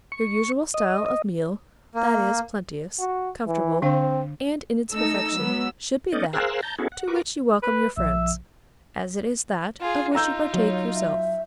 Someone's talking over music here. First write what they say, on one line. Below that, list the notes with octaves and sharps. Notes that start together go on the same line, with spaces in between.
Your usual style of meal--that is, plenteous, comfortable, and in its perfection--should be that to which you welcome your friends, as it is that of which you partake yourself.
C#6
D#5
D#5
A#3
F#4
E3
D3 C4 D4 F5
A3 D#4 A4 E6
F#3 G#3 B3
B3 C#4 D#4 A4 D5 D#5
G#4 A#4 C5 F5 E6 F#6
A5 A#5 G6
B3 C#4 E4 F#4 G#4 A4
F#5
F#4 A#4 B4 C#6 D6
B4
A#1 F3 E5
F4 G#4
D#4 F4 A#5 E6 G6
F#3 C#5
E5